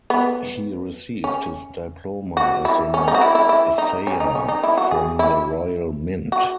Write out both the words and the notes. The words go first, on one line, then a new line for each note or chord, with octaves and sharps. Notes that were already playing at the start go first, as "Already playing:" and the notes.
He received his diploma as an assayer from the Royal Mint.
B3
C#4
F#4
E4
C#4
D#4
F#4
E4
E4
E4
D#4
C#4
D#4
C#4
D#4
E4
F#4
G#4
E4
F#4